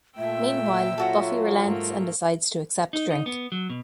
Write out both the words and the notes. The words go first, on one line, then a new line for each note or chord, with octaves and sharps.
Meanwhile, Buffy relents and decides to accept a drink.
A#2 A3 F4 E5 G5 E6
F#3 C#4 F4 F#4 A4
G#2 A3 A#3
D#4
D#4
B3
F#3
B2